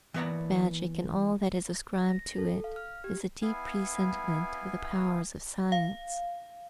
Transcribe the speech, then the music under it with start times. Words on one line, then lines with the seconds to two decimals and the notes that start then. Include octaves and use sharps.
Magic and all that is ascribed to it is a deep presentiment of the powers of science.
0.14 E3 A#3 B3 C#5 D5 A#5
2.09 A#6
2.38 A4
2.64 F5
2.76 F6
3.04 G4
3.42 B3 E4 F5 G#5
5.72 F5